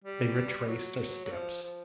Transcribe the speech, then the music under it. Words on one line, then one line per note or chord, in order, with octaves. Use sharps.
They retraced their steps.
G3
F#3
F#3
F3
F3